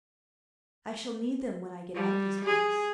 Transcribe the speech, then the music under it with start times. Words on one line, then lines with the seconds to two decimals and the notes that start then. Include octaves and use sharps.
I shall need them when I get out of this place.
1.95 G3
2.45 G#4